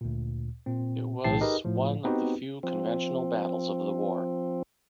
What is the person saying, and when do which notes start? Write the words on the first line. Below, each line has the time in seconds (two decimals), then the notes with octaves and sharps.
It was one of the few conventional battles of the war.
0.01 D2 A#2
0.66 A#2 C4
1.24 B1 A2 E3 G5 A5 C7
1.41 D#4 G4 G#4 A#4 B4 D#5
1.65 A2 F3
2.05 B3 C4 D#4 F#4 G4 B4
2.63 F3 C4